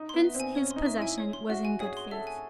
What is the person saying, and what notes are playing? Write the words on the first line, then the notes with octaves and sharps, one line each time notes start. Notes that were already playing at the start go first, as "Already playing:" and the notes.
Hence his possession was in good faith.
Already playing: D#4
B3 C6
E5
C4
G#5
C#4 C#5
C6
D#4
E5
E4 G#5
C#5
C6
F#4 E5
G#5
G#4 C#5
C6
A4 E5
G#5